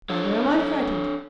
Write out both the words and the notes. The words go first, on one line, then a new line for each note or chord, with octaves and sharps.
"Neither am I frightened."
D4 A4 C#5